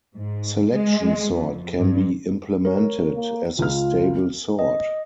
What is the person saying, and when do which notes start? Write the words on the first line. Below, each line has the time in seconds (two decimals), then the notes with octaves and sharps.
Selection sort can be implemented as a stable sort.
0.15 G#2
0.71 G#3
1.31 F2
1.78 G2
2.65 A#4 C#5
3.15 A#3
3.59 C#2 F4 F6
4.59 D#5